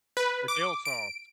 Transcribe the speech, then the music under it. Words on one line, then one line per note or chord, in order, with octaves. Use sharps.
or dill sauce.
B4
D6
D7